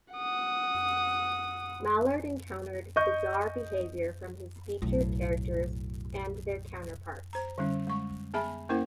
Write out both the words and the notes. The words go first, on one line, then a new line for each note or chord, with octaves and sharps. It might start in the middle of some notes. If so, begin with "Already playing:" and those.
Mallard encountered bizarre behaviour from his featured characters and their counterparts.
F#5 D#6
D#5 C#6 G6
B1 A2
C5 A#5
D3 G3 C#4
G#3 C#6
B3 G#4 E5 G#5 A5 B5
A#3 C#4 E4 A#4 C5 F#5